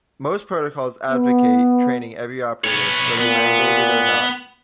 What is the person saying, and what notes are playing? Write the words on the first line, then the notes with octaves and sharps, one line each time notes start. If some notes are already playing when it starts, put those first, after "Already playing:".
Most protocols advocate training every operator, whether mandated or not.
B3
B3 C#5
A#2 B3